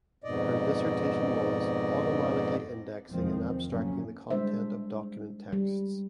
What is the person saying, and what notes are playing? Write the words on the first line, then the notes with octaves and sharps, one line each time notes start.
Her dissertation was "Automatically Indexing and Abstracting the Content of Document Texts".
F2 G#2 B2 D5 D#5
F1 E2 D#3 F3 G#3 C4
G1 C#3 F#3 A3 A#3 C#4
G3 G#3 D4 C5 E5
G3